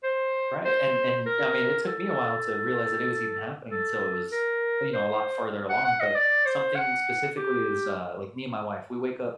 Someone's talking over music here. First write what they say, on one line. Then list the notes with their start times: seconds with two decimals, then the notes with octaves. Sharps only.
right, and and, I mean, it took me a while to realize that it was even happening until it was, you know, a lot further along, but something specifically is, uh, like, me and my wife, we wake up
0.03 C5
0.65 C5
1.26 A#4
1.87 A4
3.71 A4
4.32 A#4
4.93 C5
5.69 F#5
5.85 F#5
6.00 D#5
6.15 D5
6.46 C5
6.76 F#5
7.37 G4